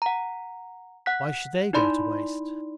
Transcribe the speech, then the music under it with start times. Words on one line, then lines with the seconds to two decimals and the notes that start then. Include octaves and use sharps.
Why should they go to waste?
0.02 F#5 A#5
1.06 F#5 F#6 B6
1.73 D#4 E4 D5 B5 C6